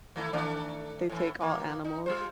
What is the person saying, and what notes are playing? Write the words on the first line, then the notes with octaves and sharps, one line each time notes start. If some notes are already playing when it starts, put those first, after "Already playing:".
they take all animals.
D#3 A3 E4
D#3 A3 D4
A2 E3
E3 A#3
D#4
G3 F4 C5